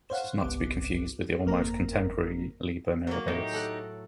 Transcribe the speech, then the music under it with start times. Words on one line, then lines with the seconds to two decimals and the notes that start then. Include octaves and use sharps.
It is not to be confused with the almost contemporary "Liber mirabilis".
0.10 C5 C#5 F5 F#5
0.41 G1 C2 B3 D6
1.45 G1 F2 A#3 A#4 A#6
3.07 F#3 A#3
3.28 A2 D#4 G4
3.53 A4 F#5